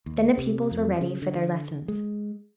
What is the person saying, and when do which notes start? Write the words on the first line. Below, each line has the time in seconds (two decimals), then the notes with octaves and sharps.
Then the pupils were ready for their lessons.
0.06 D#2
0.38 C3
0.71 F2
1.01 C#3
1.22 D3
1.88 G#3